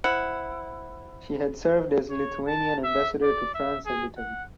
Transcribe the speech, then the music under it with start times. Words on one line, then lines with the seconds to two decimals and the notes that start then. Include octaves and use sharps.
She had served as Lithuanian ambassador to France and Italy.
0.04 E4 C5 F#5
2.10 C#5
2.47 A5
2.84 E5
3.23 D5
3.54 E5
3.86 G#4
4.17 F#5